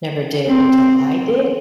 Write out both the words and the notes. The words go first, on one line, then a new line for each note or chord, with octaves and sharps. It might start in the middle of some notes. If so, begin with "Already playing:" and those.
never did until I did.
C4